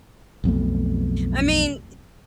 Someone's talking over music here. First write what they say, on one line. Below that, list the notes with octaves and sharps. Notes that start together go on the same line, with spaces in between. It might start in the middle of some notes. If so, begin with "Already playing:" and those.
I mean,
B1 F2 B2 A3